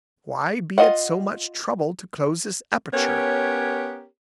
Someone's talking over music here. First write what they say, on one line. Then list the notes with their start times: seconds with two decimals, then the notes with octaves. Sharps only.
"Why be at so much trouble to close this aperture?"
0.78 F4 G#4 D#5 F5 F#5
2.93 B3 C#4 G4 A#4 C#5